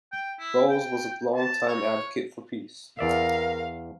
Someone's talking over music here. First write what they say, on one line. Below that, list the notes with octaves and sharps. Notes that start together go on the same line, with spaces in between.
Bowles was a long-time advocate for peace.
G5
E4
G5
A5
C#5
E2 A#4 D5 E5 F5